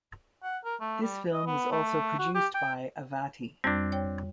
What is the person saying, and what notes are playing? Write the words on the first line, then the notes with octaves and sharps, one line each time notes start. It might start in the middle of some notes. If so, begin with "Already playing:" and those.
This film was also produced by Avati.
F#5
A#4
A3
G3
D#5
B3
A3
F#4
G4
G5
F2 G3 C4 D4
C#5 G5